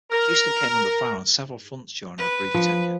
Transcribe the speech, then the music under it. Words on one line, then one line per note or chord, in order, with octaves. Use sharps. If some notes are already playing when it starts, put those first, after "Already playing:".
Houston came under fire on several fronts during her brief tenure.
A#4
B4
F3